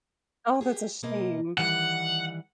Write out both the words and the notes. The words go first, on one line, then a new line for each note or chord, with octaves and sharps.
Oh, that's a shame.
G4 G#4
B2 A#3 D#5
D#3 E3 G3 F#5